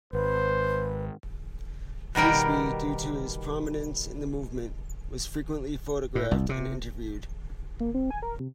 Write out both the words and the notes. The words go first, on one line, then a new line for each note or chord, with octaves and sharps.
Frisbee, due to his prominence in the movement, was frequently photographed and interviewed.
G#1 B4 C5
B2 D#3 G3 A#4 G5
A2
C2
C3
A#3
C4
G#5
A#4
C3